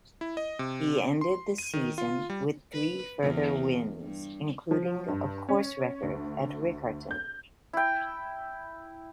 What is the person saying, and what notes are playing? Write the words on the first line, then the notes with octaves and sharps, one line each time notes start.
He ended the season with three further wins, including a course-record at Riccarton.
E4
D#5
C3
C6
D#7
D#3
F4
G3
B4
E2
G2
F3
G2
C#4
D2
G6
E4 G5